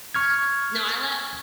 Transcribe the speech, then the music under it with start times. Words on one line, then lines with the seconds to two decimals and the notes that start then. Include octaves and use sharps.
No, I li
0.15 C#6 F6 G#6